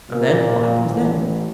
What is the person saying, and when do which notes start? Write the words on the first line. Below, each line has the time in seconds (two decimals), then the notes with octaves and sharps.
"And then? What happens then?"
0.10 A#2
0.85 A1